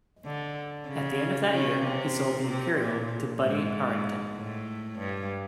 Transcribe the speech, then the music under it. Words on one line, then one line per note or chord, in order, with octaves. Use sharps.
At the end of that year he sold the Imperial to Buddy Arrington.
D3
C#3
C#3
C3
C3
A#2
G#2
A2
G2